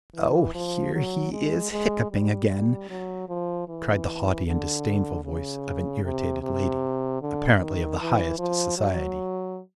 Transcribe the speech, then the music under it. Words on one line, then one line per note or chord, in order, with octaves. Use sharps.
"Oh, here he is hiccupping again!" cried the haughty and disdainful voice of an irritated lady, apparently of the highest society.
E3
F3
F#3
G#3
G#3
G3
G3
F#3
F3
E3
D3
C#3
C3
C3
D3
D#3
E3
F3
F#3